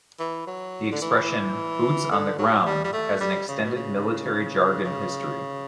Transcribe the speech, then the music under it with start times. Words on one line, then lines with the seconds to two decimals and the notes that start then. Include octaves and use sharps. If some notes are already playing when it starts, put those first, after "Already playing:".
The expression "boots on the ground" has an extended military-jargon history.
0.19 E3
0.47 F#3
0.92 D3
1.02 E3
2.11 D3
2.38 F#3
2.66 G3
2.84 G3
2.93 A3
3.20 G3
3.48 C#3
3.64 B2
3.75 C#3
4.84 C#3